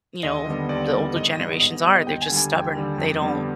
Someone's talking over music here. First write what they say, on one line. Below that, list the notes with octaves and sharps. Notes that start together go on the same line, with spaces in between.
you know, the older generations are. They're just stubborn. They don't
D#2 D#5
D3 G3 B3
D#2 D5
D3 G3 B3
G#2 D#5
G3 B3
G#2 D#5
G3 B3
D#5
D#2 G5
G#5
D3 G3
G#5
D#2 G5
D3 G3
F2
D3 G3 B3